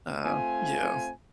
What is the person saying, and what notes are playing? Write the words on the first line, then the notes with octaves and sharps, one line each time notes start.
Uh, yeah.
A3 C4 F4 G#5